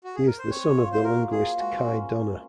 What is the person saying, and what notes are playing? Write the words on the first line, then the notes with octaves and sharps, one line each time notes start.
He is the son of the linguist Kai Donner.
F#4
G#4
A#4
C5
C4 C#5
F4
C5
F#3 A#4
A#3 G#4
G#3 F#4
C#4